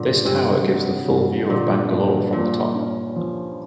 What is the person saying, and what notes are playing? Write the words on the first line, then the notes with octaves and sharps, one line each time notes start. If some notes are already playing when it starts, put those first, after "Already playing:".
This tower gives the full view of Bangalore from the top.
Already playing: G2 A#2 D3
G2 C3
F#3
G2
A#2 D3
G2
A#2 A#3
C#4
F3